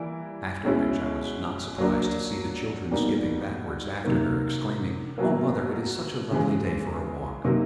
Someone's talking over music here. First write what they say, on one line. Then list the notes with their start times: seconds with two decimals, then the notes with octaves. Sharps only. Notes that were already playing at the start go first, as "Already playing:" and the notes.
After which, I was not surprised to see the children skipping backwards after her, exclaiming "Oh, mother, it is such a lovely day for a walk!"
Already playing: E3 G3 A#3 E4
0.65 B2 G#3 C#4 E4
1.78 F#3 A#3 D4
2.91 B2 G3 A#3 D#4
4.04 C3 D#3 F#3 A#3
5.18 B2 F#3 A#3
6.31 C#3 E3 G#3
7.44 C3 D#3 F#3 A#3 D#4